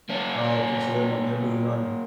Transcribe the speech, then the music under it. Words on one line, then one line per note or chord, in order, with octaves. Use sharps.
Okay, so they're n they're moving on.
A#3 C#4